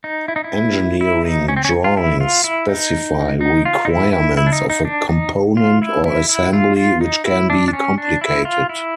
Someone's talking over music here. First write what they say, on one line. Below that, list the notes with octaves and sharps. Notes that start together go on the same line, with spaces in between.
Engineering drawings specify requirements of a component or assembly which can be complicated.
D#4
E4
D#4
E4
E4
D#4
C#4
C4
C#4
F4
E4
F4
E4
D#4
D#4
F4
D#4
E4
E4
E4
D4
D#4
D#4
D4
D#4
F4
E4
E4
E4
F4
F4
D#4
E4
D4
D4
C#4
D4
E4
F4
E4